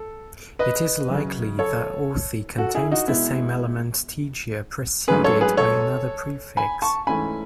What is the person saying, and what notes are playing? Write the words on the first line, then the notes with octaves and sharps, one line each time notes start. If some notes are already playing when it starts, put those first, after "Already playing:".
It is likely that Authie contains the same element "tegia" preceded by another prefix.
Already playing: A4
B4 D#5
F#2 C#3 F#3 C#4
A4 C#5
F#4 A4
E4 G#4
D#4 F#4
B2 G#3 B3 E4
G#2 F#3 A3 C#4 G#4 B4
A4 C#5
G#4 B4
A4 C#5
G#5 B5
A5 C#6
G#2 E3 A3 C#4 G#5 B5